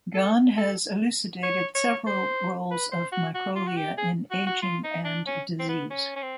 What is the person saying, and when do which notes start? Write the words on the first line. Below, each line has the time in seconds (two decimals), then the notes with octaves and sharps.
Gan has elucidated several roles of microglia in aging and disease.
0.14 A4
0.58 A4
1.43 C#5
1.75 C#5
2.06 C5
2.71 B4
2.92 C5
3.12 F#4
3.35 F#4
3.55 F4
3.67 F#4
3.76 G4
3.97 G#4
4.31 F#4
4.46 F#4
4.62 F4
4.84 D#4
5.05 D4
5.27 C#4
5.59 C4
5.69 B3
5.90 C#4
6.16 C#4
6.22 C4